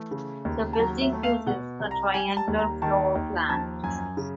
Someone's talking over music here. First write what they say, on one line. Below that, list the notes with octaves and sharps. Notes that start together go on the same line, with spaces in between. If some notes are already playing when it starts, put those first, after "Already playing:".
The building uses a triangular floor plan.
Already playing: E3 A3
C#3
D#2
A5
F#3 A#5
E5
A3
F5
B2 F#5
C2
A#5
G3 G#5
A5
D#2
A#5
D#3 A5
D#2
F3 A5
F#2 G#5
C#3